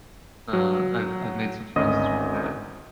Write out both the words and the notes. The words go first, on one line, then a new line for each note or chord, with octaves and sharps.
Uh, I've I've made some friends through that and
F#3
G#1 D2 C#4 D#5 D#6